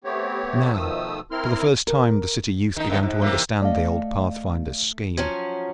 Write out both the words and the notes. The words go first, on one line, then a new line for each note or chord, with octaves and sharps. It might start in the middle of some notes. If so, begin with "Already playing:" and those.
Now for the first time the city youth began to understand the old pathfinder's scheme.
A3 B3 C4 G4 C#5
B2 D#3 F3 A3 D#6 E6
C4 E4 A#4 C6 F6
A#4
D#3 D#4
F#2 D#3 B3
G#2
C3 E3 A#3
A3 D5 D#5 F5
F3 F#3 C#4 G#6